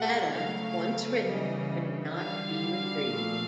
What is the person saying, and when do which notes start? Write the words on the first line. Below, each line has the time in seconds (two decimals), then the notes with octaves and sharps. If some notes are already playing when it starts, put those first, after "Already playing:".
Data, once written, could not be retrieved.
Already playing: B2 G#3 F#5
0.33 C#3 F#3 A3 F5
1.24 C#3 E3 G3 D#5
2.15 D3 G3 F5
3.06 A#2 F3 A3